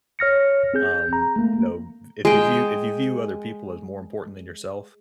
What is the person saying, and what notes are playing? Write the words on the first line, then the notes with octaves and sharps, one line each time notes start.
um, you know, if you view if you view other people as more important than yourself,
C#5 F6 A#6 C#7
C4 G#4 G6
A#5
A3 A#3
G#3 G5